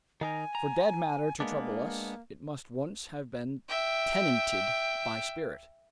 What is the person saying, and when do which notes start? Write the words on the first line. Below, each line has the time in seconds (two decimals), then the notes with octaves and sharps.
For dead matter to trouble us, it must once have been tenanted by spirit.
0.21 D#3 D#4 A#4 G#5
0.55 A#5
1.40 G#3 A#3 B3 D4
3.69 E5 G5